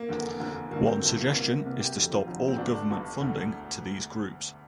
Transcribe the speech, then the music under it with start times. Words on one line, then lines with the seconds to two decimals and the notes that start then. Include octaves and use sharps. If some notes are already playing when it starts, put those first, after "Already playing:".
One suggestion is to stop all government funding to these groups.
Already playing: A#3
0.09 F1 E2 D3
0.40 F1 E2 D3
0.71 G1 G2 D3 A#3
0.87 C4
1.02 G1 G2 D3 E4
1.19 F4
1.33 C2 C3 E3 A#3
1.65 C2 C3 E3
1.80 G4
1.96 F1 F2 D3 G4
2.11 F4
2.27 F1 F2 D3
2.48 C4
2.58 G1 G2 D3 D4
2.74 D4
2.89 G1 G2 D3
3.21 E1 D2 D3